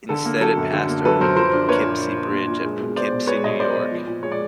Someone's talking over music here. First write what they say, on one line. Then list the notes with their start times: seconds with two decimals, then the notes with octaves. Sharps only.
Instead it passed over the Poughkeepsie Bridge at Poughkeepsie, New York.
0.09 D3 A4
0.26 A#3
0.41 F#3 A4
0.58 F#2
0.73 D3
0.89 A#3
1.05 F#3 A4 B4
1.21 F#2 A#4 C5
1.37 F3 A#4 C5
1.53 D4
1.69 A#3 B4 C#5
1.84 A#2
2.01 F3
2.17 D4
2.32 A#3
2.48 A#2
2.64 G#3
2.80 B2
2.96 B3 C5 D5
3.12 B2
3.27 G#3 B4 C#5
3.44 B2 C#5 D#5
3.59 B3 C5 D5
3.75 B2
3.91 F3
4.07 A#2
4.23 G#3 C#5
4.32 D5